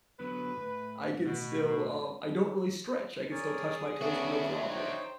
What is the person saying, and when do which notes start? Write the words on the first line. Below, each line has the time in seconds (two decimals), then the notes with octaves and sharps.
I could still, um, I don't really stretch, I could still touch my toes with no problem,
0.19 D3 F#3 B3 B4
0.57 A2
1.25 B2
3.31 G#4 A#4 C#5 D5
4.01 C#3 B3 C#4 D4 F#4 E5
4.69 D#4 C5 C#5 G5